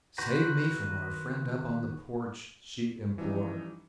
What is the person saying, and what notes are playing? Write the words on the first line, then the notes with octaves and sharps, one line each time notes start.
"Save me from our friend up on the porch," she implored.
D#3 F#4 B4 C5 A#5
E3 F3 G3 C#4 D#4